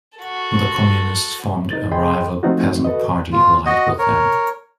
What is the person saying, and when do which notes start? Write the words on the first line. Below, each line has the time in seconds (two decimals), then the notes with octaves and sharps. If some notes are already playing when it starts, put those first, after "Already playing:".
The communists formed a rival peasant party allied with them.
0.18 F#4 A4
1.70 D#4 A6
1.91 G#4 D#5 G5 B5 C6
2.43 F3 A3 C4 D#4 F4 F#4
2.85 F#4 A4 B4 D#5
3.32 F4
3.66 F#4 D#5
3.99 A#4 C#5